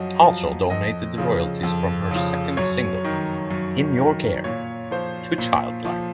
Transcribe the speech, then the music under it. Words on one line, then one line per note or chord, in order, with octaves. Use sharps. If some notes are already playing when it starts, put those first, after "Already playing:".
Archer donated the royalties from her second single "In Your Care" to Childline.
Already playing: F#2 F3 D#5 F#5
F3
F2 D#5
C#3 F3
F2
C#3 F3
F#2 C#5
D#3
F#2
D#3
A#2 C#5
F3 C5
A#2
F3